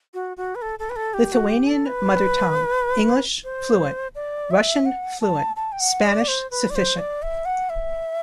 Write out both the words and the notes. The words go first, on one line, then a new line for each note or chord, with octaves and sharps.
Lithuanian - mother tongue; English - fluent; Russian - fluent; Spanish - sufficient.
F#4
F#4
B4
A4
A4
B4
A4
G4
F#4
G4
A4
B4
C5
D5
E5
F#5
A5
A5
G5
F#5
D5
C5
B4
D5
C5
D5
E5
F#5
E5